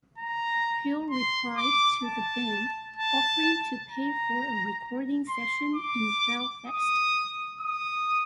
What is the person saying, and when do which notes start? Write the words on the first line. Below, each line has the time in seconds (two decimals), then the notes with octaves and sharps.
Peel replied to the band, offering to pay for a recording session in Belfast.
0.18 A#5
1.10 C6
1.57 D6
2.04 A5
2.96 A5
3.89 A#5
5.28 C6
5.75 D6
6.68 D#6
7.61 D#6